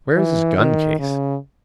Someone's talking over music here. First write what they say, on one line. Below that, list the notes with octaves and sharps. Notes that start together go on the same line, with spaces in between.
Where is his guncase?
E3
D#3
C#3